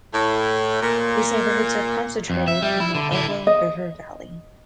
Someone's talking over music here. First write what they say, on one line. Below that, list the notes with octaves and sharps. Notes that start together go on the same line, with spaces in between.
These neighbourhoods are concentrated in the Elbow River valley.
A2
A#2
F2
E5
G3
E4
D3
D3 E4
D#5